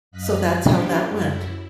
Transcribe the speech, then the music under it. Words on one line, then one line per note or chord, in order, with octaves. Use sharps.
So that's how that went.
F#2 D#5 F5 F#6 B6
C#4 D4 F4 G4 G5
F#2 E4